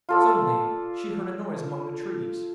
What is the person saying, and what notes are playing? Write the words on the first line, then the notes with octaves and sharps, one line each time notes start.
Suddenly she heard a noise among the trees.
F4 A4 D5